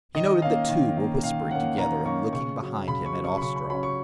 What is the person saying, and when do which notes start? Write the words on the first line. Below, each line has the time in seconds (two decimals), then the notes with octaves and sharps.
He noted that two were whispering together and looking behind him at Ostrog.
0.15 D#3 D#5
0.42 A#3 C#4 F5
0.69 D#3
0.97 A#3 C#4
1.23 D#3 F5
1.51 A#3 C#4 F#5
1.78 D#3 A#5
2.06 A#3 C#4 C#6
2.33 C#3 C#6
2.61 F#3 C#4
2.88 C#3 B5
3.06 C#6
3.15 F#3 C#4
3.25 C#6
3.38 B5
3.42 C#3 C#6
3.56 B5
3.69 F#3 C#4 B5
3.83 C#6